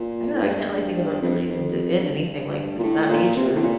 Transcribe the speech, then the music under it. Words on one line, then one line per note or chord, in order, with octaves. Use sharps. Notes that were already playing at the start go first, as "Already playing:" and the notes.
I don't know. I can't really think of the reason to end anything. Like, it's that major,
Already playing: A#2
A2
G2
F2
F2
G2
A#2
A2
A#2
C3
A2
A#2